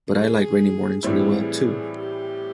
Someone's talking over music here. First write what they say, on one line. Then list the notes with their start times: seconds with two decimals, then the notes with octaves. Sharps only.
But I like rainy mornings real well, too.
0.10 G#4
1.03 A2 E3 G3 C4 E4 G#4
1.96 G4